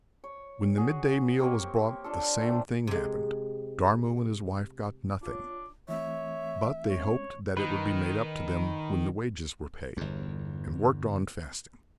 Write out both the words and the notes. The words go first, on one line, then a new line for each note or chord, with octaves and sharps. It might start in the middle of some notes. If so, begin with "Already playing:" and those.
When the midday meal was brought the same thing happened, Dharmu and his wife got nothing; but they hoped that it would be made up to them when the wages were paid, and worked on fasting.
C#5
F#4 G#4
A#3 C4 G4 C#5
D4 F4 A4
A#2 A3 C5
C3 G#3
D4 F4 C#5
E3 A3 C4 C#5 E5
G#3 C4 C#4 C#5
D#3 D#4 B4
G1 E2